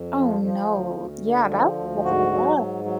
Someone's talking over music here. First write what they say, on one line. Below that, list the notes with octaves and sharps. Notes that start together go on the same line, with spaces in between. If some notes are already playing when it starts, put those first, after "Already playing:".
Oh, no, yeah, that must be rough.
Already playing: F2
F3
F3
D2
D2
D3
F3
D2
G#2 F#4
F#3
G#2
F#3